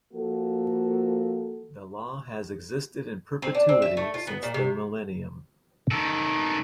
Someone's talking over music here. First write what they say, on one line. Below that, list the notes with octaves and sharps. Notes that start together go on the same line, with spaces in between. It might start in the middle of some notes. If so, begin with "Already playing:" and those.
The law has existed in perpetuity since the millennium.
F3 A#3 F#4 A4
C4
D4
C4
E5
A3
F4
B3
A#2
C3
D#3 A4